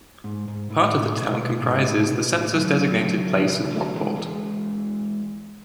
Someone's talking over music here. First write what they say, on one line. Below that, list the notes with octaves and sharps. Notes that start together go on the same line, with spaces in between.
Part of the town comprises the census-designated place of Rockport.
G#2
G#2
A2
B2
G#2
A2
B2
A2
D3 F#3
D3 F#3
C#3 E3
D3 F#3
E3 G#3
E3 G#3